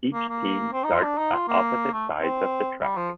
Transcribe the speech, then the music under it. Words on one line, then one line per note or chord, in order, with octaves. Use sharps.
Each team starts at opposite sides of the track.
A#3
A#3
C4
D#4
F4
D4
D#4
F4
A#3
A3
C4
G3
F3